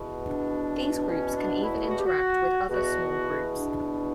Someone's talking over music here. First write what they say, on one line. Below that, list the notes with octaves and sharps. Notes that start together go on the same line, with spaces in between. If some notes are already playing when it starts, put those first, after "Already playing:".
These groups can even interact with other small groups.
Already playing: E2 B2
D4
D4
C#4
D4
E4
F#4
G4
F#4
E2 B2 F#4
D4